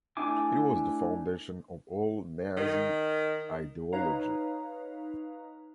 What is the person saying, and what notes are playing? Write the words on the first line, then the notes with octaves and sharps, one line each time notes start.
It was the foundation of all Nazi ideology.
A3 D4 E4 G#5 D6
D#3
D#4 B4 C#5 F5 A#5